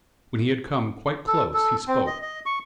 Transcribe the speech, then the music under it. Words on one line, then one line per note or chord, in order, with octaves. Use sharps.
When he had come quite close he spoke.
A4
A4
C4
D#5
D#5
C#6